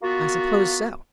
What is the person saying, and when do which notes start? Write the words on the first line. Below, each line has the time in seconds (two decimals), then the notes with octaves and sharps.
"I suppose so."
0.02 A#3 B3 F4 F#4